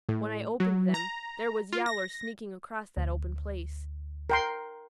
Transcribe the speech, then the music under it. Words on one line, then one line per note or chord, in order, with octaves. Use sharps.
When I opened them, there was Yowler sneaking across that open place.
A2
F#3
A#5
F4
A#6
D2
A#4 G5 C6